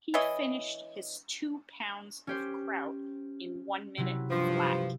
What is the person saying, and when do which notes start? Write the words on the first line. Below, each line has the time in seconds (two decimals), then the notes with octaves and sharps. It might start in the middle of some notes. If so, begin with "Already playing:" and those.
He finished his two pounds of kraut in one minute flat.
0.14 E3 E4 C#5 D#5
2.27 C#4 G4 C5
3.97 C3 F#3 E4
4.30 G2 F3